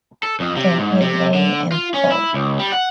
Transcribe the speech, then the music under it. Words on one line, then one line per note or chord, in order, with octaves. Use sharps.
Then he lay and thought.
A4
F2
C3
G#2
C3
D3
F4
C#4
E4
C#2
G3
F#5